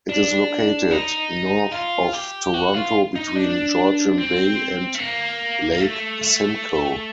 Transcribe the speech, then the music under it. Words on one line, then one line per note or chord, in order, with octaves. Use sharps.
It is located north of Toronto between Georgian Bay and Lake Simcoe.
D4
D#4
F4
G4
F#4
F4
D#4
D4
C4
A3
A#3
A#3
A3
A3